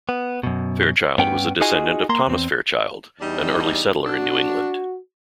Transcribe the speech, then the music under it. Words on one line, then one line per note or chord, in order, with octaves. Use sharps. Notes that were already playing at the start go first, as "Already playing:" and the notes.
Fairchild was a descendant of Thomas Fairchild, an early settler in New England.
B3
F#2 B2
G2 B3 C#4 G5
D#4 F4 F#4 G#4 D#5 G#5
A#3 A#5 C6
E2 C4
E2 G3 D4 D#4
D4 F#4